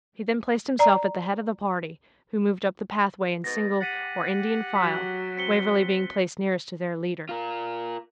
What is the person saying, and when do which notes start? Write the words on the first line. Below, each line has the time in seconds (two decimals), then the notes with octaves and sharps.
He then placed himself at the head of the party, who moved up the pathway in single or Indian file, Waverley being placed nearest to their leader.
0.79 D5 A#5
3.44 G#2 B2 A6 A#6
3.81 G4 F#5 A6 B6 D#7
4.76 F#3 F#6 B6
5.38 C4 B6 C#7 G7
7.29 F4 A#4